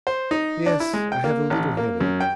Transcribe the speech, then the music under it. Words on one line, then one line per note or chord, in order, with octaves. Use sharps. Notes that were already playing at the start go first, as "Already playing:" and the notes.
'Yes; I have a little headache.'
C5
D#4
D4
E4
G#3
G5
A#3
A1
A#3
F#2
G5